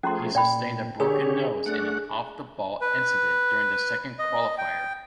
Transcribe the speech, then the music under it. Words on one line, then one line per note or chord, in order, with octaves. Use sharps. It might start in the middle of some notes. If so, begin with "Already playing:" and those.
He sustained a broken nose in an 'off-the-ball' incident during the second qualifier.
F3 A3 C#4 G#4 A#5 C6
A#2 D5 G5 B5
D3 G4 G#4 A#4 C#5
A3 D4 F#5
B4
D#5
G5